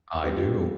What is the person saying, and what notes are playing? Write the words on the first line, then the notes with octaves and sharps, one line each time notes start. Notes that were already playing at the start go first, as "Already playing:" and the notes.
I do.
F#2 D3 G3 B3 G4 B4